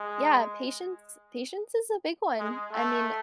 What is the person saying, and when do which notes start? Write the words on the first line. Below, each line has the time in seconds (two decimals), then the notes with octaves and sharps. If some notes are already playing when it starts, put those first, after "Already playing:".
Yeah, patience patience is a big one. I mean,
Already playing: G#3
2.38 G#3
2.72 A3